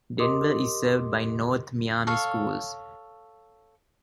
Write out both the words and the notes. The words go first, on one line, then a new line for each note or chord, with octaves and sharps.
Denver is served by North Miami Schools.
G4 A#4 D#5 C6 D6 D#6
A4 C#5 F5